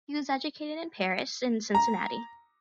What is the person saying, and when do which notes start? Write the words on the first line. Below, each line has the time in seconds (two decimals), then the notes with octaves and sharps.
He was educated in Paris and Cincinnati.
1.75 A#5